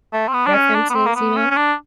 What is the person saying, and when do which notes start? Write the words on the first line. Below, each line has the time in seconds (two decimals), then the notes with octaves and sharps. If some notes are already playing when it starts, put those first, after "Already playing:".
references, you know?
0.13 A3
0.28 C4
0.33 B3
0.46 D4
0.54 C#4
0.74 D4
0.90 B3
0.95 C4
1.06 A#3
1.16 B3
1.36 C#4
1.51 C#4
1.56 D4